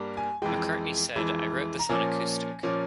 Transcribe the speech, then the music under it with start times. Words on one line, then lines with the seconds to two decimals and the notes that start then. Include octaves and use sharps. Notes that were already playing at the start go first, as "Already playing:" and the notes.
McCartney said, I wrote this on acoustic.
Already playing: G2 G3 A#3
0.17 G#5
0.42 F2 E3 G#3 G5
1.16 F2 E3 G#3
1.79 A#5
1.89 A#2 F3 A#3 C#4 G#5
2.63 A#2 F3 A#3 C#4